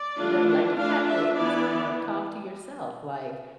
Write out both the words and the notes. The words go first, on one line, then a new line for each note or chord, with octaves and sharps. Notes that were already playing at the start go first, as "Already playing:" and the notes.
you know, like, you have to s you know, talk to yourself like,
Already playing: D5
E3 A3 D4 F4
A3 D4 F4 F5
E5
E3 B3 E4 D5